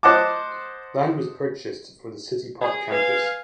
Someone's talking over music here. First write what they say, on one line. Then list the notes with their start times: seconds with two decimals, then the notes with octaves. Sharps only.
Land was purchased for the City Park Campus.
0.03 C5 D#5 F#5 A5 D6
2.61 G#4
2.92 B4 F5 G#5